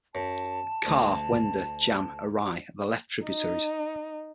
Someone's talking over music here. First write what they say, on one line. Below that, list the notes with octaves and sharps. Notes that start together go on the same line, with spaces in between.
Kar, Wena, Jam, Erai are the left tributaries.
F#2 A5
D2
D#4